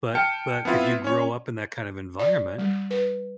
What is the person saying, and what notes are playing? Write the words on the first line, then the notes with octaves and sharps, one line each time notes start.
but but if you grow up in that kind of environment,
G5 A5 F6 C#7
B3 C4 E4 F4
C#4 C#5
D5
G3
B4